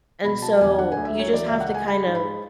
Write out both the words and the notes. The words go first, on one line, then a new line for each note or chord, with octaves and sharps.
And so, you just have to, kind of,
B2 B5
F#3 A5
E2 G#5
D3 F#5
G#5
D2
E5
F#3 C#5
E3 D5
E5
C#2
F#5
C#2 G#5
G#3 B5
G#2
B5
G#3